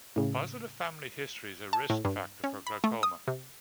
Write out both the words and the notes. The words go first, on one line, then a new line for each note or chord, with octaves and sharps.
Positive family history is a risk factor for glaucoma.
A2 C#3
A5
A2
G2
C#4
B5
A3
D#6
C3